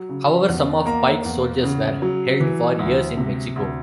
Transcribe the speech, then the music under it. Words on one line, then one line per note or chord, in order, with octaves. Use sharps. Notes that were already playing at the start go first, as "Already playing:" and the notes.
However, some of Pike's soldiers were held for years in Mexico.
Already playing: F#3
C#3
E2
A#3 A#5
E2
C#3
F#3
E3
D2
C3
D2